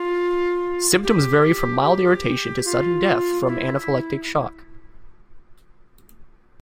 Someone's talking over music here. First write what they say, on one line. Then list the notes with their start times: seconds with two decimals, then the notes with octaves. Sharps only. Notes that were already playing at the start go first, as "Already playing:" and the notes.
Symptoms vary from mild irritation to sudden death from anaphylactic shock.
Already playing: F4
1.03 G4
1.85 G4
2.65 F4
3.47 E4